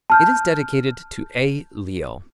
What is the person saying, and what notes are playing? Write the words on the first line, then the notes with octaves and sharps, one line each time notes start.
It is dedicated to A. Leo.
A5 F6 G6